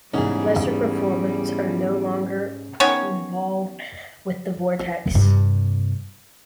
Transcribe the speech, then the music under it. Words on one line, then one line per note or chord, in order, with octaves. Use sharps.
Laser Performance are no longer involved with the Vortex.
E2 G#2 G3 C#4 G#4
D#3 B3 C#4 C#5
G2 C3